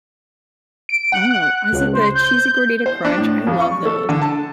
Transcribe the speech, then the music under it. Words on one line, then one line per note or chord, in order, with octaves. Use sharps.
Oh, is it the Cheesy Gordita Crunch? I love those.
D7
F#5
F#6
C#2
C5
G6
C5
D4
A2
F2
C#6
A4
D3
A5